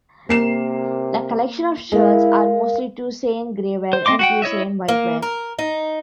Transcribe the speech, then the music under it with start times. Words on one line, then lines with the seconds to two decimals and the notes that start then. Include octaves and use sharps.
The collection of sherds are mostly Tusayan Gray Ware and Tusayan White Ware.
0.29 C3 A#3 C7 E7
1.92 G#3 E4 A#4 F5
3.93 C5
4.06 C4 C#4 D#5 C6 D6
4.19 F#4 F#5 G5
4.42 E4 C#5 D#5 E5
4.88 A#3
5.22 A#4
5.59 D#4